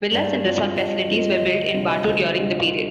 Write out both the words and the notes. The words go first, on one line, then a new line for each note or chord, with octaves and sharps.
Villas and resort facilities were built in Batu during the period.
G2 D5
F3 C4 F4
G2 D#5
F3 C4 F4
D2
C3 G3 D4 F4
D2
C3 G3 D4 F4